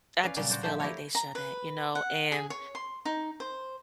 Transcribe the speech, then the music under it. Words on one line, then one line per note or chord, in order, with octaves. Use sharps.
I just feel like they shouldn't, you know, and
C#4 B4 D5 F5
A#2 C#3 F#3 G3 D5
F#4 C5 D5
F3 F#3 A3 D4 G4 C5
E4 G4 A#4 C#5
A#5
B4
F#5
G#4
C#5
C6
D#4
C5